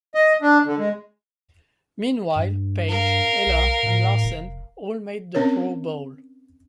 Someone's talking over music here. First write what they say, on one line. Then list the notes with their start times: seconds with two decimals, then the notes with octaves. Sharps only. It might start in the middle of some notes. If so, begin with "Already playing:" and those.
Meanwhile, Page, Eller and Larsen all made the Pro Bowl.
0.15 D#5
0.42 D4
0.66 D3
0.78 G#3
2.36 G2
2.89 A#4 F5
3.46 B1
3.83 A2
4.24 F1
5.35 C4 C#4 A#4 C#5